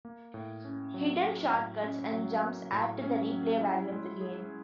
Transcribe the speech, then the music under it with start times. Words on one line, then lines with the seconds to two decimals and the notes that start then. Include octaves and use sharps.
Hidden shortcuts and jumps add to the replay value of the game.
0.05 A#3
0.34 A2
0.65 C#4
0.94 F#3
1.23 A#3
1.53 A2
1.83 C#4
2.13 F#3
2.43 A#3
2.72 A2
3.02 C#4
3.31 F#3
3.61 E4
3.92 G#3
4.21 G#4